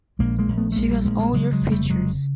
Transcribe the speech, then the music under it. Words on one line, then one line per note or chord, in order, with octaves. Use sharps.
She has all your features.
A#1 G#3 A#3
G#3 A#3
A#1
A3 B3
A3
A#1 G#3 A#3
G3 A3
A#1 G#3 A#3
G#3 A#3
C#3 F#3 G#3
F#3 G#3
F1
G3 A3
G3
C#3 F#3 G#3